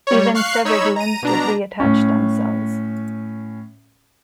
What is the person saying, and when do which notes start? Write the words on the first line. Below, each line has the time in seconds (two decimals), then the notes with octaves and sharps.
Even severed limbs would reattach themselves.
0.07 G3 C#5
0.35 F5 C#6 F#6 C7
0.65 D#4 C#5 B5 E6
0.96 A#5 D#7
1.23 B2 D4 A#5
1.80 A2 C#4